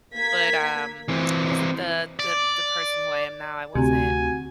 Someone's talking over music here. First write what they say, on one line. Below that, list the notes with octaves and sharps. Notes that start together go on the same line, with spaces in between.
But, um, wasn't the the the person who I am now I wasn't
A#3 G#6 B6
E3 C4
D5
D2 C3 F#4 G#5